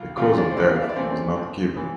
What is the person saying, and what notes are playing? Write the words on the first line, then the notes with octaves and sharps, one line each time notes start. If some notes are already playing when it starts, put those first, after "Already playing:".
A cause of death was not given.
Already playing: C2 F4
C3 E3 A3 F4 F5
D4 D5
C5
C2 D4 D5
F5
E5
D5
C3 E3 A3 C4 C5
F2
E3 G3 B3